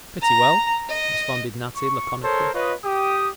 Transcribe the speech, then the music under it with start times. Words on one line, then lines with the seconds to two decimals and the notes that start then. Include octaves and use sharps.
"Pretty well," responded Natty laconically.
0.21 A#5
0.88 D#5
1.76 C#6
2.24 A4 A#4 C5 C#5 C6
2.54 F4 B4 C#5 D#5
2.84 G4 D#6